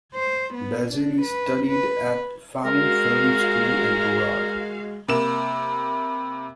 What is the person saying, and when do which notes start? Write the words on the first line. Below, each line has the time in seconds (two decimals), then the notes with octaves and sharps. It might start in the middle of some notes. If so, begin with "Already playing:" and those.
Bazelli studied at Famu Film School in Prague.
0.15 C5
0.54 B3
0.92 D4
1.22 B4
1.67 B4
2.65 G#3 F#4 A#4 F5
5.08 C3 A#3 B5 E7